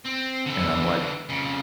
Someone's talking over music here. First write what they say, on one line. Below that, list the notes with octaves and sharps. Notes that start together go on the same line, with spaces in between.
And I'm like,
C4
D3 E3
F2 C#3